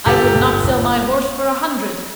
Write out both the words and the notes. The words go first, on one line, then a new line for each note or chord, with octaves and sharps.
I would not sell my horse for a hundred.
G1 G4 A4
G1
G1